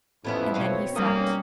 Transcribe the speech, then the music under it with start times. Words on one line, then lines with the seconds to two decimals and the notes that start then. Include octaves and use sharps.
And then he slept.
0.24 A1 F2 A2 B3 C#4 E4
0.54 B2 C4 B4 C#5 F5
0.96 B1 G3 A#3 C#4 D#6